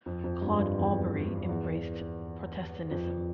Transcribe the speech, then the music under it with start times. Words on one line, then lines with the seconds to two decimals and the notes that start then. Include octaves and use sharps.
Claude Aubery embraced Protestantism.
0.06 F2
0.24 F2
0.42 G2
0.59 G2
0.77 E2
1.49 E2
2.91 F2